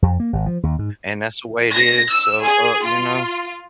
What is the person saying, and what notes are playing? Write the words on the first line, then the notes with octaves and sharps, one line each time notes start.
And that's the way it is, so, uh, you know
F2
A#3
G#1
F3
D#2
G#2
A#6
E6
G#4
F4